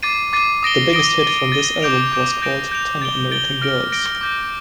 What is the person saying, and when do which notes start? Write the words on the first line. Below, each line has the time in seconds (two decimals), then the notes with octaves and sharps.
The biggest hit from this album was called "Ten American Girls".
0.03 D6 A6 C7 D#7
0.33 D6 A6 C7 D#7
0.63 D#6 A#6 D7 G7
0.93 D#6 A#6 D7 G7
1.22 A6 D#7 G7
1.52 A6 D#7 G7
1.82 D6 G6 D7 F7
2.12 D6 G6 D7 F7
2.42 G6 A#6 D7 F7
2.72 G6 A#6 D7 F7
3.02 A6 D7 G7
3.32 A6 D7 G7
3.62 F6 A#6 D7 G7
3.92 F6 A#6 D7 G7
4.21 D6 G6 A#6